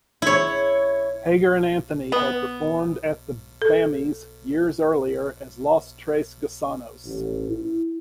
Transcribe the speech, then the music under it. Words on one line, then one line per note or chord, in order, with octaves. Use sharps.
Hagar and Anthony had performed at the Bammies years earlier as Los Tres Gusanos.
E4 C#5
B3
A4
A1
E4